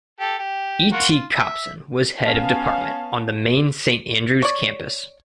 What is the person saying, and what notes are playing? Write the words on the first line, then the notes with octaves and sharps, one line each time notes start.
E. T. Copson was Head of Department, on the main Saint Andrews campus.
G4 A4
G4
A#3 F4 F#4
F4
E5
B3 C#4 F5 A5
C#5 D5